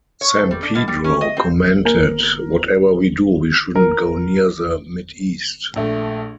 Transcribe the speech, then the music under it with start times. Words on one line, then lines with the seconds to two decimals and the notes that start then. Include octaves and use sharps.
Sampedro commented, Whatever we do, we shouldn't go near the Mideast.
0.21 C#5
0.36 A4
0.51 G3
0.63 D4
0.75 B2
0.88 G3
1.04 C#4
1.21 D#5
1.37 C4
1.85 A#3 A#4
3.76 A#4
5.76 A#1 A3